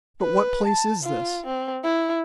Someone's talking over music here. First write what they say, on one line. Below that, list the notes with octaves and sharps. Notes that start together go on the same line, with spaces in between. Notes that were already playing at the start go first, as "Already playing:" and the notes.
"But what place is this?"
B4
A5
F4
C4
E4